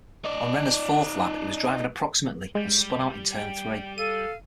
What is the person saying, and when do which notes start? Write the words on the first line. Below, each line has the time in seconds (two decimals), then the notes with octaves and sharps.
On Renna's fourth lap he was driving approximately and spun out in turn three.
0.25 D#4 D5
2.55 G3 G#3
3.34 G5
3.98 A4 F5 D#7